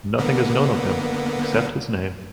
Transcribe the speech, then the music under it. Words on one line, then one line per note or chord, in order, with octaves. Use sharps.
Nothing is known of him, except his name.
D3 A#3 B3